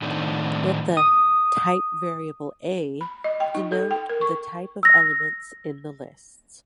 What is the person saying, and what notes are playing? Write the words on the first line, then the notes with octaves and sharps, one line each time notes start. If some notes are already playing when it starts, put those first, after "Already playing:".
Let the "type variable a" denote the type of elements in the lists.
A2 D#3 A3 C4 D4 D#4
D#6
B5
D#5
G5
D#4
A4
G5
A#4
C#6
E6 A#6